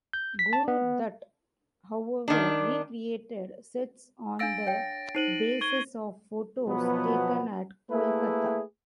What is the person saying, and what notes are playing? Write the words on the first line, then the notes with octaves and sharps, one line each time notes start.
Guru Dutt however recreated sets on the basis of photos taken at Kolkata.
G6
B6
A5
B3
D#3 D4
D4 F5 E6 A6 A#6 D7
C#5 G5
D#4 C5 C7 D#7 F#7
C#6 G#6 G7
B2 F3 F#3 B3
A3 A#3 E4 G#4 B4